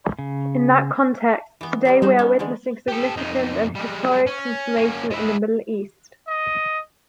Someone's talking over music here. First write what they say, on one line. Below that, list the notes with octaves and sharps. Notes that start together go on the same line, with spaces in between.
In that context, today we are witnessing significant and historic transformation in the Middle East.
C#3
E3 B3
G3 A#3 B3
G3 G#3 D#4 C5
B3 C#4
D3 E3 G#3
G4 A4
F2 D#4
G3 G#3
C#4
A#3 C#4
G#3 E4
D#5